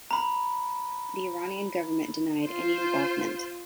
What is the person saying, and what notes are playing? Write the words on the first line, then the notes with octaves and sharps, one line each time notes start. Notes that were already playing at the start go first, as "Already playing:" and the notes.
The Iranian government denied any involvement.
A#5 B5
F4 C5